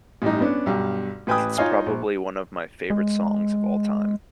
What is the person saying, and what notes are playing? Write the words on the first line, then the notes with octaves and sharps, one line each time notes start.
It's probably one of my favorite songs of all time.
A1 G2 D#4
B3 C#4 D4
B1 G2
A1 B4 G5 G#5 B5 D#6
D#4 F4 C#5 D#5 F5 G#5
A#1
G#3